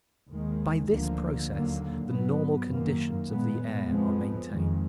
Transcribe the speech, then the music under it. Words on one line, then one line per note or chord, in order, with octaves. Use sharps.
By this process the normal conditions of the air are maintained.
D#2 D#3 G#3
D2 D3 F3 A#3
D#2 D3 F#3 A#3
G#2 F#3 B3
F#2 D#3 A#3
A#2 G#3 B3
F2 F3 G#3 B3
F2 D#3 G#3